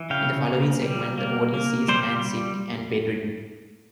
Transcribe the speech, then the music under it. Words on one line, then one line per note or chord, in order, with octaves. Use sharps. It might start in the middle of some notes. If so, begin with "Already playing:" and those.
In the following segment, the audience sees Hans sick and bedridden.
Already playing: E3
C#3 F5 G5
A#3
G3
A#3
A#3
G3 C5